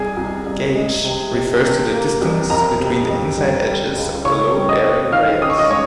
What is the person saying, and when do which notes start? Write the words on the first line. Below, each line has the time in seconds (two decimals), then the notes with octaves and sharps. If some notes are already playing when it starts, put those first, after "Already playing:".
"Gauge" refers to the distance between the inside edges of the load-bearing rails.
Already playing: C2 G#4 G#5
0.17 C2
0.46 C2
0.75 G#3
1.04 C3
1.33 C3
1.63 C3
1.92 A#3
2.21 C2
2.50 F2 A#4 A#5
2.79 C3
3.08 F2
3.37 G3
3.66 G3
3.96 C#2
4.25 C#3 C#5 C#6
4.54 G3
4.69 D#5 D#6
4.83 C4
5.12 D#3 F5 F6
5.42 C#4 D#6
5.50 C#6
5.59 D#5 D#6
5.70 G#3 C#5 C#6